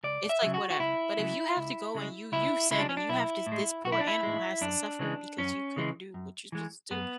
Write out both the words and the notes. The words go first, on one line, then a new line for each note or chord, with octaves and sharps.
it's like, "Whatever." But if you have to go and you you sin and you have to this poor animal has to suffer because you couldn't do what you're supposed to do,
C#2 D5
E5
C#3 F#3
F#4
F#4
C#2 E4
C#3 F#3
C#2
C#3 G#3
C#2 E4
C#3 G#3 D4 E4
C#4
D4
B1 E4
A2
G#3
B1 F#4
E4
D4
E4
A2 G#3
F#2 D4
C#3 E3 G#3
F#2 C#4
C#3 E3 G#3
F#2
E3 G#3
F#2 B3